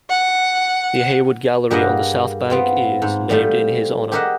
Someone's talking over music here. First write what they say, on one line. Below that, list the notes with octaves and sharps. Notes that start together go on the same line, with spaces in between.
The Hayward Gallery on the South Bank is named in his honour.
F#5
G2 G3 A#3 G#4 D#5 F#5
B3 C4 F4
G#2
F3 G3 A3
G4 G#4 A#4 D#5 E5 F#5